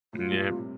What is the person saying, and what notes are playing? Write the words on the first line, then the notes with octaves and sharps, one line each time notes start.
Mm, yep.
A2 F4
G2 A#2
A2 C3